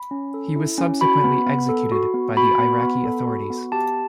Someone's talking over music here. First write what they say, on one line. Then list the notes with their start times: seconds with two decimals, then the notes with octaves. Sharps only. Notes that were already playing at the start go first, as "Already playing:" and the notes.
He was subsequently executed by the Iraqi authorities.
Already playing: B5
0.11 C#4
0.34 A4
0.56 E4
0.78 C#4
1.01 F#4 B5
1.24 B3
1.47 B3
1.69 A4
1.92 F#4
2.14 B3
2.37 F#4 B5
2.59 B3
2.82 B3
3.05 A4
3.28 F#4
3.50 B3
3.72 G4 A5